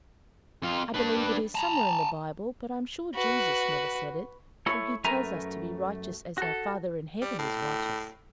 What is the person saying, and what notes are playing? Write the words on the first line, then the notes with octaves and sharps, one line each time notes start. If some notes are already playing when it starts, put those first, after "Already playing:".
"I believe it is somewhere in the Bible, but I am sure Jesus never said it, for he tells us to be righteous as our Father in heaven is righteous."
F2 F4
D4 B4
A5 A#5
F#4 B4
A3 E4 A4 C#5
F#2 A3 A#4 B4 G#5 A#5
F#4 A4
G3
A2